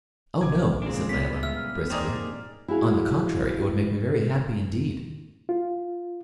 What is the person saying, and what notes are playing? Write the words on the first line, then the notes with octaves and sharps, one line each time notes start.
"Oh no," said Layelah, briskly; "on the contrary, it would make me very happy indeed."
A#1 D6 G#6
A#2 C#3 G#3 C4 D4
G2 B3 B6
E5 F6
A#3 C4 D#4 G#4 D5 D6 D#6 A6
E4 F#4 G#4 F5
F4